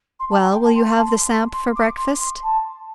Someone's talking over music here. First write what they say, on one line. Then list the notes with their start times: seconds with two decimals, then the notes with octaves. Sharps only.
"Well, will you have the samp for breakfast?"
0.19 C6
0.30 A5
0.42 G5
0.52 G5
0.64 A5
0.75 C6
0.87 C6
0.97 A5
1.09 C6
1.53 C6
1.75 D6
1.97 C6
2.20 C6
2.43 A5